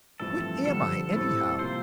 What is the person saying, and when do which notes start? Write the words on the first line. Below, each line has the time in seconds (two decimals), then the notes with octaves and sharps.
What am I anyhow?
0.19 A1 G2 F3 A3 C4 A4
0.66 F2 D3 G3 A4
1.13 A2 G3 C4 A4
1.59 C3 F3 A#3 F4 C5